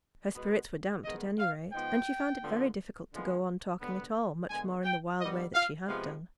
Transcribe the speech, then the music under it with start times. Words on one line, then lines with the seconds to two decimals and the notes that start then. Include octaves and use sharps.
Her spirits were damped, at any rate, and she found it very difficult to go on talking at all, much more in the wild way that she had done.
0.35 B2 G#3 B3
1.04 G#2 D#3 G#3 B3 D#5
1.39 F5
1.73 G#2 F3 B3 G5
2.42 D3 F3 B3
3.11 D3 F3 G#3 B3
3.81 D3 G3 B3
4.50 D3 G#3 B3 G#5
4.84 G5
5.19 G2 D#3 G3 B3 D#5
5.55 F5
5.88 C3 F3 G#3 B3 F5